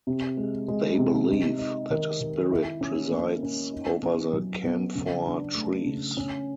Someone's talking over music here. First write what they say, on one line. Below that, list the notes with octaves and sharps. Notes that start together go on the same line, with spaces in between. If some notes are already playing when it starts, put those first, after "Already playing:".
They believe that a spirit presides over the camphor trees.
C3
G#3
G#3
C3
D#4
D#4
D#3
D#3
E4
C#4
A#3
C#4
D#4
B3
F#3
B3
C#3
D4
A3
C#3
C#4